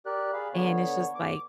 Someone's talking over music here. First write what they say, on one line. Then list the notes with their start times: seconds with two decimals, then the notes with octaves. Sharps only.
and it's just like,
0.06 G4 A#4 D5 F#6
0.33 G#4 F5 B5
0.54 D3 B3 C#5
1.15 D6